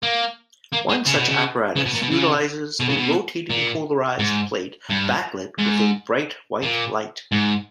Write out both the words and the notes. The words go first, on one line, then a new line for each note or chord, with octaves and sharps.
One such apparatus utilises a rotating polarised plate backlit with a bright white light.
A#3
A#3
G#3
C#3
B2
C#3
C#3
B2
A#2
B2
C#3
B2
C#3
B2
A#2
G#2
G2
G#2
A#2
G#2